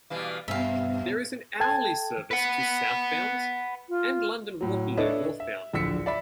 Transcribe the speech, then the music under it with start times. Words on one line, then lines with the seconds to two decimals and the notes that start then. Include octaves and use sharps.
There is an hourly service to southbound and London Waterloo northbound.
0.10 B2 E3 G3 F5 D6
0.48 G2 B2 B3 E5 F5
1.60 A4 G5 A5 G#6
2.31 B4 F#5
3.89 F4
4.61 A2 F#3
4.97 D4 A4 B4 C#5 D#5 E5
5.40 E5
5.73 D1 A#1 D3 E6 B6 C#7
6.06 D5 E5 B5 B6